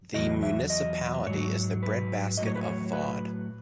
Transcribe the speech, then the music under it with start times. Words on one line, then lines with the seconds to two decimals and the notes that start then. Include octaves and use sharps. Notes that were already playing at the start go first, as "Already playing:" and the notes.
The municipality is the breadbasket of Vaud.
0.14 E2 D#3 F#3 D#5
0.43 E5
0.70 D#5
1.27 G#2 F#3 C#5
1.83 B4
2.37 A2 F#3 D#5
2.47 C#5
2.55 B4
2.63 C#5
2.93 B4